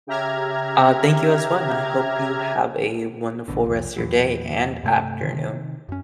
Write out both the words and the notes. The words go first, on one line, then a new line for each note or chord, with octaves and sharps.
Uh, thank you as well, I hope you have a wonderful rest of your day and afternoon.
C#3 G4 E5 A#5 F6 G#6
A#1 B2 D3
C2 F2
E2 A#2 E3 F#3
G2 C3 A3
C3 D#3
F#2 C#4